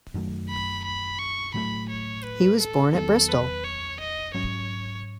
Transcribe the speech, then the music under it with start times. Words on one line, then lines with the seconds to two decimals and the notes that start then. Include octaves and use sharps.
He was born at Bristol.
0.14 F#2 D#3 F#3 A3
0.49 B5
0.84 B5
1.19 C#6
1.54 A2 F#3 A3 B5
1.89 C#5
2.24 B4
2.59 A4
2.94 E2 D#3 F#3 B3 A4
3.29 B4
3.64 C#5
3.99 D#5
4.34 G#2 F#3 C#4 C#5